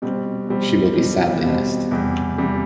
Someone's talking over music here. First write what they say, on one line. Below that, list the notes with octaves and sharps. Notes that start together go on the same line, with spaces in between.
She will be sadly missed.
B2 G3 C4
B2 G3 C4
B2 G3 C4
B2 G3 C4
E2 C3 G3
E2 C3 G3